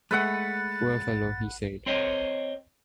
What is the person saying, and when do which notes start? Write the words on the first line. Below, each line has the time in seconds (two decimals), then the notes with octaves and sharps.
"Poor fellow," he said.
0.11 G#3 A3 B4 F#5 A6
1.86 C4 C5 C#5 D#5